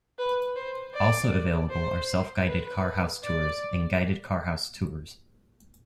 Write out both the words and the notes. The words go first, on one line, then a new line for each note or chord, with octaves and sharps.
Also available are self-guided car house tours and guided car house tours.
B4
C5
D5
C5
B4
D5